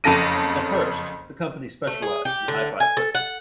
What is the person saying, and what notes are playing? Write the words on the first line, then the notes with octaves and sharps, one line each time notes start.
At first, the company specialised in Hi-Fi equipment.
F#1 F2 C#3 A4 A#6 D#7
A3
G#4
G4
D3
G#5
A4
F#5